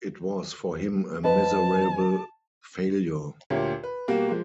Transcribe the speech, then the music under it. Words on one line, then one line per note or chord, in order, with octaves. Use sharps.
It was for him a miserable failure.
F2 B4 D#5 A5
D2 A#2 G4 C#5
B4
B2 G3 A#3 F#4 G4
F3 G#3